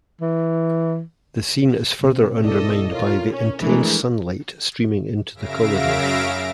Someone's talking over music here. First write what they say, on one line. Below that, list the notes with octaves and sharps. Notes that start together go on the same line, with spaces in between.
The scene is further undermined by the intense sunlight streaming into the corridor.
E3
B2 C4
D#4 E4 A4 D5 D#5
F4 A4 A#4 C#5
C#4
E3 F3 G#3 A3 D4 A#4
F#2 C#3 E5 F5 A#6 D7